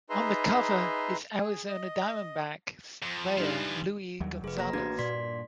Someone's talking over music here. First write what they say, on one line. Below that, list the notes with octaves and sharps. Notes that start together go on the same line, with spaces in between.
On the cover is Arizona Diamondbacks player Luis Gonzalez.
D#4 G#4 B4 E5 A#5 C6
G#4
D#5
F2
G2 E3 G3 D#4 F4
D#2 F#3 G3
F1 G#4 B4
A#3 A#5 A#6
A1 A#3 D4 F#4 B4 G#6
G2 A#2 D5 C6 B6